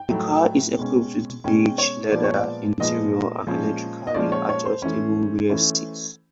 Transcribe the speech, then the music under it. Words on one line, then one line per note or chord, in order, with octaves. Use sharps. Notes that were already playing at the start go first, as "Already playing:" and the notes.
The car is equipped with beige leather interior and electrically adjustable rear seats.
Already playing: G5
A2 F#3 A3
B2 G#3 C#4
B2 G#3 C#4 G5
C#5
A#2 F3 G#3 B3 D5
C#5
D5
A#2 F3 G#3 B3 D#5
A#2 F3 G#3 C#4
D#5
A#2 F3 G#3 C#4 D5
C#5
C#5
C5
E3 A3 C#4
E3 A3 C#4